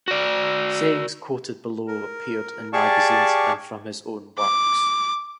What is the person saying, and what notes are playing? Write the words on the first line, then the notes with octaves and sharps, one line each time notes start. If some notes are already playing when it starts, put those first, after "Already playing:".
Sayings quoted below appeared in magazines and from his own works.
F#4 D5
A#4
G4 G#4 D5 F5 A5 C#6
D6